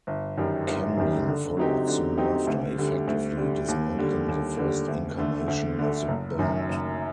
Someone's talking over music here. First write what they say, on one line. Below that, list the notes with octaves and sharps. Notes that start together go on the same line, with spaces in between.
Kemling followed soon after, effectively dismantling the first incarnation of the band.
G1
F#2 D#3 G3
G1
F#2 D#3 G3
D3
F#3 C4 D#4 G4
D3
F#3 C4 D#4 G4
D2
D3 G3
D2
D3 G3
D#2
D3 G3
D#2
D3 G3
D2
D3 A3
D2
D3 A3
F#1
F#2 D#3
F#1